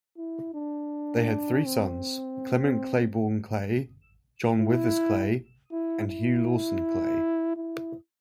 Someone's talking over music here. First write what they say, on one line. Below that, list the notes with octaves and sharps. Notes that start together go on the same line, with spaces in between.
They had three sons: Clement Claiborne Clay, John Withers Clay, and Hugh Lawson Clay.
E4
D4
C4
E4
E4
E4
E4